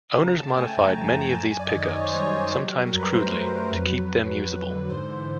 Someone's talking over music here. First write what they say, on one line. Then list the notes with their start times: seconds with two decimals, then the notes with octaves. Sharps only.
Owners modified many of these pickups, sometimes crudely, to keep them usable.
0.18 C#3 A#5
0.39 C#3 A5
0.48 G5
0.58 A3 G#5
0.77 F#2 A#5
0.97 F3
1.07 G#5
1.17 F#2 A5
1.36 F#2 A5
1.51 G#5
1.56 F#2 D5
1.66 D#5
1.75 D#3
1.81 D#5
1.95 F#2 C#5
2.04 C5
2.12 G3 C#5
2.34 G3
2.55 F#3
2.73 F#3
2.86 A#4
2.93 F#2
3.00 B4
3.13 A3 C5
3.27 B4
3.32 A3
3.42 B4
3.52 F#3 A#4
3.72 F2 B4
3.91 F2
4.12 F#3
4.31 F2
4.51 F#3
4.70 D3
4.89 G#2 C5
5.09 E3